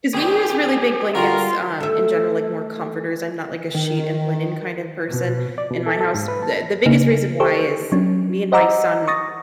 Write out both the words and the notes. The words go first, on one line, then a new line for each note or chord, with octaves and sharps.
'Cause we use really big blankets, um, in general, like, more comforters, I'm not like a sheet and linen kind of person in my house, the the biggest reason why is me and my son
D#3 G4 G#4 C5 D5
D3 G3 F4 F#4 A#4
A3 E5
D#3
B2
D5
B2
A4
A4
G#2
B4
A5
C#3 A#3 D#4
G4 A4 C5 C#6
F#3 C#4 D4
C5 D#5 F#5 A#5 D6 E6
C#6 D#6 A6 A#6